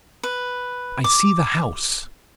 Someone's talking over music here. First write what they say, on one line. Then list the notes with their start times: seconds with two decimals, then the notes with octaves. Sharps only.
I see the house.
0.23 B4
1.04 D6